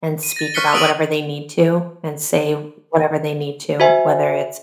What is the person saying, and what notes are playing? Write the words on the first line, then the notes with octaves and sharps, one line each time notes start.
and speak about whatever they need to and say whatever they need to, whether it's,
D#7
A6 A#6
C#6 F6 F#6 B6 C#7 G7
D#6 E6 D7 D#7 F#7
F#4 C5 E5 G#5